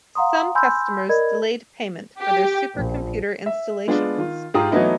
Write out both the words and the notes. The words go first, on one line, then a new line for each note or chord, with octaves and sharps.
Some customers delayed payment for their supercomputer installations.
F5 F#5 A#5 C6 D#6
G#5 B5 C6 E6 G6
A#4 D5 D#5 B5 G#6
G4
A#1
E5
G#3 B3 D4 F4 G#4
D#3 F4
G#2 F4 G4 G#4 A#5 D#6
E3 F#3 A3 B3 D#4 E4